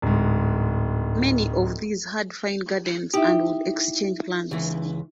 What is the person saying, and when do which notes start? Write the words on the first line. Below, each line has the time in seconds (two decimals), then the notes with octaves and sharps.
Many of these had fine gardens and would exchange plants.
0.02 D1 G#2
3.14 D#4 E4 G4 E5
4.51 C#2 E3